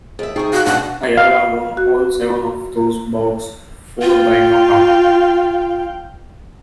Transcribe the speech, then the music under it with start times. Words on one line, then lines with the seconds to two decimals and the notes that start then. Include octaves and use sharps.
Ayala won all seven of those bouts, four by knockout.
0.19 D#2 G#4 E5
0.36 C3 D#4 G#4 G5 C#6
0.53 F#4 F5
0.66 G2 B2 D4 F#5
1.17 F5
1.77 F#4
4.02 F4 F5 G5